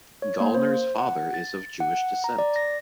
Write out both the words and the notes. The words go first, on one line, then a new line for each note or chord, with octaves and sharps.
Gallner's father is of Jewish descent.
C#5
A#3
C5
F#5
A6
F#5
A#5
D5
A#6